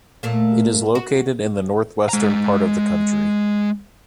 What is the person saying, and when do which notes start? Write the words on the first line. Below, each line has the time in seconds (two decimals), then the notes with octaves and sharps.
It is located in the northwestern part of the country.
0.23 A#2 A3 A#3
0.95 F#4
2.09 G#3 A#5